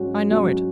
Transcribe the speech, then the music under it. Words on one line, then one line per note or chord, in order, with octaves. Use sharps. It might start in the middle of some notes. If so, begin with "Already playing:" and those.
'I know it!
Already playing: G#2 F#3 C#4 F#4
G#2 F#3 C#4 F#4